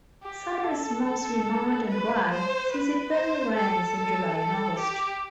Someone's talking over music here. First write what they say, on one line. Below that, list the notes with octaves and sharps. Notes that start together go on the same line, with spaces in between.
Summer is mostly mild and dry since it barely rains in July and August.
G4
A4
A4
B4
C5
B4
C5
A4
A4
A4
G4